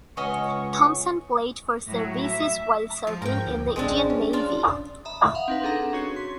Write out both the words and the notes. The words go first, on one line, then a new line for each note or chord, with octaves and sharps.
Thomson played for Services while serving in the Indian Navy.
C#2 B3 C#4 D#5 C#6
A2 F#3
E5
F3
G#2 A#4 G5
D2
A1 G#3 C4 D4
C#4
D4 F4
E5 A#5 B5 D#6
F5 F#5 D#6
C4 D#4 B4
D4 G#4 A4 F#5 A#5 A#6
C#4 F#4 C#5 C7 C#7
C6 B6